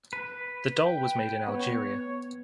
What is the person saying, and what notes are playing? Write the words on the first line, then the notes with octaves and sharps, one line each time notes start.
The doll was made in Algeria.
B4
G5
B3 C#5